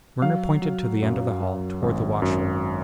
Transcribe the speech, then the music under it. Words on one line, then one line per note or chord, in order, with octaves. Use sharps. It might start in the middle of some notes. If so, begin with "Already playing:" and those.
Werner pointed to the end of the hall, toward the washroom.
F#3 F5
F#3
F#2
F#2
G#1
F#2